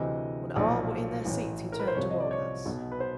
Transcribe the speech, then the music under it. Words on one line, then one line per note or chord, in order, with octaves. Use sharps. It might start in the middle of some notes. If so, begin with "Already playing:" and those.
When all were in their seats he turned toward us.
Already playing: D2 C3 E3 D#5
B1 A#2 F3 D5
A1 A2 E3
A#4
B4
C5
C2 C3 F3 C#5
D#5
D5
C#5
B1 B2
B4
C5